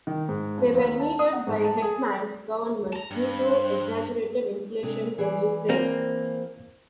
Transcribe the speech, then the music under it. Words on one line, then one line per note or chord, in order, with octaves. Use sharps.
They were needed by Hetman's Government due to exaggerated inflation in Ukraine.
D#3
G#2
F2
D#2
A5
D#6
F#5
G#2
A5
G#4
A5 A#5
G2
C5
C3 G#3 D4
E3 G#4 D5
A#3 C4